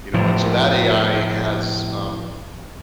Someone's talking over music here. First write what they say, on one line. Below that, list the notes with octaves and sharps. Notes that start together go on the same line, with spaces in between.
you know? And so, that AI has, um
A2 F3